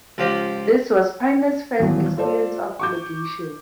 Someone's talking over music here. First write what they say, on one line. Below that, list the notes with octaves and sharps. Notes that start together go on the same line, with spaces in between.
This was Primus' first experience of relegation.
C#2 F3 F4 G4
D#1 E2 F#3
F4 A4 C5 D5
C#6 D6 G6